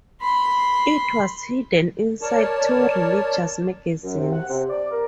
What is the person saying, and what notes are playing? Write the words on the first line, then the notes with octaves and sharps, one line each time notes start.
It was hidden inside two religious magazines.
B5 C6
A#4 C#5 D5 A5
F#2
C3
F#5
C3
D5
A#4